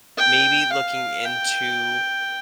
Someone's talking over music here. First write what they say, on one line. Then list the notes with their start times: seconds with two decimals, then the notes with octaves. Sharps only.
maybe looking into
0.18 G5
0.72 F5
1.25 G5